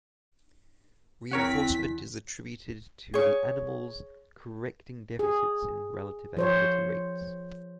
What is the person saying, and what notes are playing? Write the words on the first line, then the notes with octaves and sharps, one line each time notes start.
Reinforcement is attributed to the animal’s correcting deficits in relative activity rates.
E2 D3 C4 A#4 C#5 F#5 B6
G#4 C#5
G#4
F3 C5 C#5